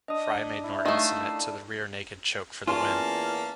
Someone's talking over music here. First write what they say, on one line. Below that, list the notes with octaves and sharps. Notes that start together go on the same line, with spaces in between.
Frye made Norton submit to the rear naked choke for the win.
D4 D#5 D#6
E4
D#3 A3 A4 F5 A5 D#6
E2 A#3 C#4 F4 A5